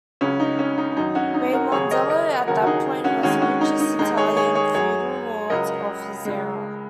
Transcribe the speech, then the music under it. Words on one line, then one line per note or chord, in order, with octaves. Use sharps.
Raimondello at that point was the richest Italian feudal lord of his era.
C#2 C#3 F#3 C#4
D#4
C#4
D#4
F#2 D#3 F#3 D#4
C#4 F#4
D#4
F#4 A#4
D#2 C#3 F#3 G#4 C#5
A#4 D#5
A#4 D#5
D#2 C#3 F#3 F#4 A#4
F#4
D#4 G#4
C#4 F#4
D#2 D#3 G#3 C#4 F#4
C#4 F#4
D#4
D#4
D#2 D#3 G#3 D#4
G#4 C#5
G#4 C#5
G#4 C#5
F#2 F#3 G#4 C#5
C#2 C#3 F#3 A#4 D#5
C#2 C#3 G#3